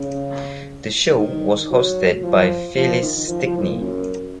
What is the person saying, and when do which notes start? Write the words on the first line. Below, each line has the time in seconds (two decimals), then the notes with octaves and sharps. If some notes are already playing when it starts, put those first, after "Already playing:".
The show was hosted by Phyllis Stickney.
Already playing: C#3
1.18 D#3
1.70 F#3
2.23 F3
2.76 F3
3.02 D#3
3.28 F3
3.46 F3
3.57 A2
3.64 A#2
3.81 F#2